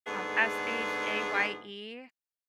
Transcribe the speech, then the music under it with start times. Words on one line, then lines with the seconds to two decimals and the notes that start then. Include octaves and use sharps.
Um, S-H-A-Y-E,
0.05 G#2 D3 A3 B3 G#4